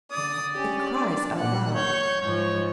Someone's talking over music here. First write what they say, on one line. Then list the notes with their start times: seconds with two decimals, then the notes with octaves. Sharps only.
It cries out aloud.
0.12 D3 D5 D#6
0.55 C#4 G4
0.92 D4
1.38 A#2 F#5
1.75 C#5 C#6 G6
2.21 G#2 F3 C#5